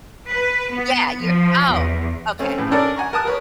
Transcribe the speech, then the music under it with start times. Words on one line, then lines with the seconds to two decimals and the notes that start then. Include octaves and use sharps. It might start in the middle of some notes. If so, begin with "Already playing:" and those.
yeah you're oh, okay.
0.31 B4
0.73 B3
1.22 F3
1.70 E2
2.39 A3 C4 C#4
2.58 A2 C#3 E3
2.71 C#4 D4 A4 A#4 D5
2.96 F#5 G#5 A#5 C#6
3.13 A#4 A5 D#6 F#6
3.25 A#4 B4 C#5